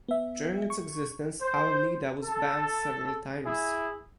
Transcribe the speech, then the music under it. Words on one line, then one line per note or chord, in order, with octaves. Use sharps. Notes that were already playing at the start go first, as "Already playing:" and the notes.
During its existence "Al Nida" was banned several times.
B3 E5
C#6
C5
A4
E4 G#4